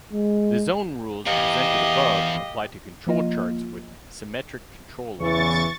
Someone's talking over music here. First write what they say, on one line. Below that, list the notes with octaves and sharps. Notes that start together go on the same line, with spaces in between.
The zone rules presented above apply to control charts with symmetric control limits.
G#3
E2 G4 D#5 F5
F3 A#3 F4 D#5
E2 C#3 E3 C#6 A6